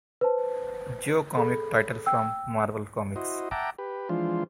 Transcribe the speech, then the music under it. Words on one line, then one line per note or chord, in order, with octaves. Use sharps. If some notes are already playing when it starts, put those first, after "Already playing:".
Joe comic title from Marvel Comics.
B4 C5 A5
G#4 A4 B5
G5 E6
E4 F#4 C5 D#5
E5 F#5 G5 A5 A#5 D6
G4 B4
E3 F3 G#3 D4 F4 C5